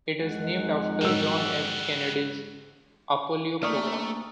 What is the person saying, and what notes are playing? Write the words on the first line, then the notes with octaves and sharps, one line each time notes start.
It is named after John F. Kennedy's Apollo program.
F2 D#3 G#3 F#5
G#2 C#3 F#3 G3 E6
A3 A#3 D4 D5 G5 C#6 D#6 F6